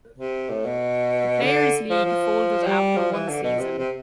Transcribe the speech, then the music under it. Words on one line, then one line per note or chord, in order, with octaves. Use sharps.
The Players' League folded after one season.
C3
A2
B2
D3
F3
F3
G3
F3
E3
D3
B2
C3
C3